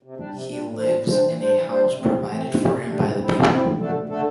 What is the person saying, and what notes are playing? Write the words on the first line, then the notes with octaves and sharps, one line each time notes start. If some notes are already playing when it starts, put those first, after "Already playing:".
He lives in a house provided for him by the people.
C3
G3 D4
C3
G3 D4
A2
E3 G3 D4 C5
A2
E3 G3 D4 C5
E3
G3 D4 C5
E3
G3 D4 C5
C3
E3 A3 C4
C3
E3 A3 C4
C3
A3 D4 G4
C3
A3 D4 G4
E3
C4 E4
E3
C4 E4
D2
D3 A3 D4 A4
D2
D3 A3 D4 A4